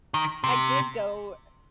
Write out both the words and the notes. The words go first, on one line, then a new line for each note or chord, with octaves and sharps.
I did go
D#3
C3